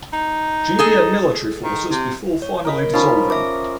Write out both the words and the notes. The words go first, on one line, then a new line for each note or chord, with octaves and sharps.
Junior Military Forces before finally dissolving.
D#4
G#4 A4 D#5
D#3
C3
C#5
A#4 D#5 B5
F3 C#4 D#4 B5
E5 D6